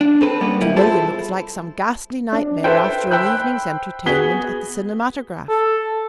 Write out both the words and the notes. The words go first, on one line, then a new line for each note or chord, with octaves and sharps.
To William it was like some ghastly nightmare after an evening's entertainment at the cinematograph.
D4
C4 A4 B4
G3 A#3 B3 C#4
B2 G3 E4
E4 F4 G#4 A4 C5 E5
D4
A4 B4 C5 E5 G5
C5 G5 B5 E6 F#6 G6
B3 F#4 G#4 B6 G7
A4